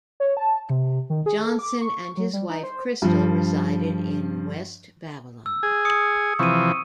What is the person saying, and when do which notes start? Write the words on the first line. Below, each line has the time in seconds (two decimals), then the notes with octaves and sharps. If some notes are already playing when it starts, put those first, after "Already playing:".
Johnson and his wife Christel resided in West Babylon.
0.20 C#5
0.37 A5
0.70 C3
1.10 D#3
1.26 G#4
1.46 A4
1.59 D6
1.81 C#6
2.17 F#3
2.33 G3
2.50 D#4
2.63 C5
3.02 G2 F3
5.46 E6
5.63 G#4
5.85 D#6 C#7
6.39 C3 E3 F3 C#6 D#7